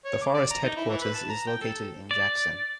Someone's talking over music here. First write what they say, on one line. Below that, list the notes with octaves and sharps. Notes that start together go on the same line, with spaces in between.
The forest headquarters is located in Jackson.
C#5
D6
D5
A#5
D#4
E4
E3
B4
A5
A#5
G5
A4
D5